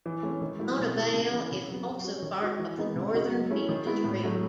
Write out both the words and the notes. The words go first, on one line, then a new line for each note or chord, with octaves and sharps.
Mona Vale is also part of the Northern Beaches region.
E3
A3 C#4
D#3
F#3 A3 E4
B2
A3 E4
C#3
E3 B3 E4
C#3
F#3 B3
F#3
C#4 F#4
D#3
G#3 D#4 F#4
E3
G#3 B3 D#4
C#3
G#3 D#4 F#4
F#3
A3 C#4 E4
D#3
G#3 B3 E4
A2
F#3 A3